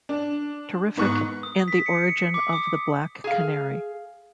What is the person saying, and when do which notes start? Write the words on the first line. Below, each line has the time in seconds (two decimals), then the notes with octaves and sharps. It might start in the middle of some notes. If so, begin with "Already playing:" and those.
Terrific, and the origin of the Black Canary.
0.09 D4
0.97 G#2 B3 C#6 F#6
1.43 D#6
1.68 B6
1.86 C#7
2.34 D6
2.53 D#6
3.24 G#4 F5